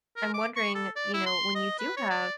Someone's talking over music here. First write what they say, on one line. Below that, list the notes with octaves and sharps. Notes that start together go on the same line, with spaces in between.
I'm wondering, you know, when you do have
A#4
D6
C#6
A4
D5
E4
C6
D#5
B4
C#5
D5